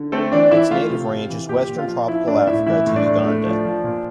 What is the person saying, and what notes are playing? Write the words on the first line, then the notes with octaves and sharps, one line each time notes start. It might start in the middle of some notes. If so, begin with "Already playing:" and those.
Its native range is Western Tropical Africa to Uganda.
Already playing: D3
A3 C4 A4
E3 D4 D5
E3 E4 E5
A3 F4 F5
C3
C3
E3
A#2 G4 G5
A#2
F4 F5
F3
F3 E4 E5
A2 D4 D5
A2 E4 E5
E3 E4 E5
A2
D4 D5
A2
A3
F3
F3
A#2